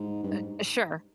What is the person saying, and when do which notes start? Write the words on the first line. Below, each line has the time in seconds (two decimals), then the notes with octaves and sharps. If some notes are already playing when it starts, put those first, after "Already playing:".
Eh sure.
Already playing: G#2
0.24 G2
0.32 G#2